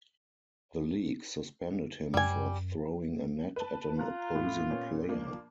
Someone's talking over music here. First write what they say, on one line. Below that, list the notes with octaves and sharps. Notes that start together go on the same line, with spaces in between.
The league suspended him for throwing a net at an opposing player.
F#2 G3 G#5
B4 A5
F4 A#5 F#6
A2
A#2 B3 C#4
F3 A#3 D4